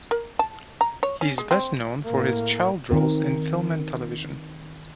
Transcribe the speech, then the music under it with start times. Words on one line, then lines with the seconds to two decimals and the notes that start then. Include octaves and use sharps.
He is best known for his child roles in film and television.
0.11 A#4
0.39 A5
0.81 A#5
1.03 C#5
1.21 C#4
1.38 G#3
1.51 C4
2.04 A2 A#3
2.91 D#3 C4 A#4